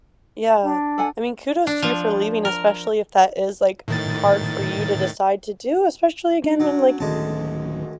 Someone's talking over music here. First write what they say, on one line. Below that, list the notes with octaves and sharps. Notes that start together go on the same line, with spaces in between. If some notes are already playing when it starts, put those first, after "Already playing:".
Yeah. I mean, kudos to you for leaving, especially if that is, like, hard for you to decide to do, especially again when, like,
D4
A4 F#5 G#5
D4
F3
A#4
A2 D#3 A6
D4
F#3
D1 D2 D#3 G#3 C#4 A5